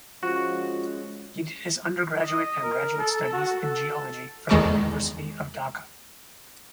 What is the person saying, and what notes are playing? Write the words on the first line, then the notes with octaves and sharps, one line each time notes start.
He did his undergraduate and graduate studies in geology from the University of Dhaka.
F3 G#3 C#4 F#4
D#5
A#4
A4
F#4
A4
E2 D#3 G#3 A4 D5 C#6